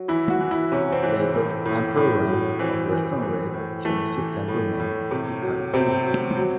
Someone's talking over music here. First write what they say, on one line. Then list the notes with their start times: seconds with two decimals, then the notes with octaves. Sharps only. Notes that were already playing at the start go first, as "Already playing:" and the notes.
Later, Emperor Wen of Western Wei changed his temple name to Taizu.
Already playing: F#3
0.08 E3 E4
0.30 F#4
0.40 E3
0.51 E4
0.72 C3 C#4
0.93 C4
1.03 E3
1.34 A2
1.65 A2
1.97 A2
2.29 F#3
2.59 E3 C4
2.92 E3
3.22 E3
3.54 A2
3.85 E3 A3
4.17 E3
4.48 A2
4.79 A2
5.11 C3
5.42 F#3
5.74 C3 C4
6.05 F#3
6.37 F#3